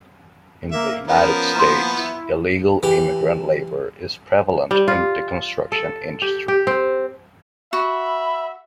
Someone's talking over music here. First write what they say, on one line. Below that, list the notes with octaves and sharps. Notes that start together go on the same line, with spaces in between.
In the United States, illegal immigrant labor is prevalent in the construction industry.
A#3 E5
F3 B3 C#4 A#4
A#3 E4 C5 A#5 C6
E4
E3 G4
G3
F4
A4
G4
G4
C4
F#4 E5 B5